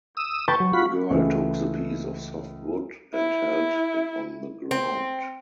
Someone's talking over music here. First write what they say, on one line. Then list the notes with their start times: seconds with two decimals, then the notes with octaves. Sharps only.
The girl took the piece of soft wood and held it on the ground.
0.17 D#6 E6
0.48 B4 G5 A5 C#6
0.60 F#3
0.73 F4 F#4 B5
1.11 C#2 E3 A3
3.14 E4
4.71 C4